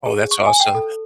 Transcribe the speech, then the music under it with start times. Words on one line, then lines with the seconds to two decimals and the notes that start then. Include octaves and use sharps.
Oh, that's awesome.
0.06 G#4
0.31 C#6
0.46 G#5
0.60 G5
0.75 A4